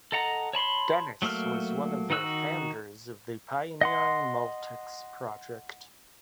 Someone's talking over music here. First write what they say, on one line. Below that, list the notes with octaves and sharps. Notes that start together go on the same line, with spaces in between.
Dennis was one of the founders of the pioneering Multics project.
A4 D#5 F#5 A#5
C#5 A5 B5 C6
F#3 A3 A#3 E6 F6
D#3 D#4 F#4 E6 F#6
D#5 F#5 C6